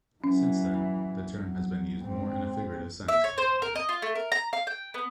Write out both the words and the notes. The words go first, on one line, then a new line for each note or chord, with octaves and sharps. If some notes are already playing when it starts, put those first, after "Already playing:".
Since then, the term has been used more in a figurative sense.
E3 F#3 C#4
F#3
G#2 C4
E5
C#5
C5
A#4
D#5
F4
A3
A#4
A#5
F5
G5
B3